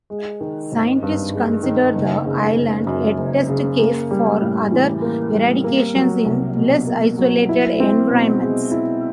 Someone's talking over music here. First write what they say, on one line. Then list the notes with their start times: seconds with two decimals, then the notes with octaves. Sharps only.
Scientists considered the island a test case for other eradications in less isolated environments.
0.10 G#3
0.41 D#3
0.72 G#1
1.02 G2
1.33 G#3
1.63 D#3
1.95 F#1
2.25 C#3
2.56 F#1
2.87 F#2
3.18 F#1
3.48 C#3
3.80 A#3
4.11 G3
4.42 A2
4.72 E3
5.02 A#3
5.33 G3
5.64 A#3
5.95 F#3
6.26 C2
6.57 B2
6.87 A#3
7.18 F#3
7.49 E4
7.80 C4
8.10 B2
8.42 G#3
8.71 E4